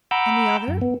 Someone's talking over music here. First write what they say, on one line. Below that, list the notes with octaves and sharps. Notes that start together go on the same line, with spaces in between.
"And the other?"
F#5 A#5 B5 D6 E6 G6
F#2
B3